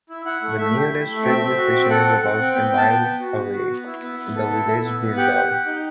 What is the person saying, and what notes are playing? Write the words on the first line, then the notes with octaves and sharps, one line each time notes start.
The nearest railway station is about a mile away, in the village of Brundall.
E4
E4 F#5
A3
A3 E5
G4
E4
A3
C4 E5
C4
F#4
C4
A4 F#5
C4
C4
C4
B3 G5
B3
A5
B3 G5
B3
F#4
B3
F#4
B3
E4
B3
B3
A4
E4
E4
B3
B3
G4 F#5
G4
G4
D#4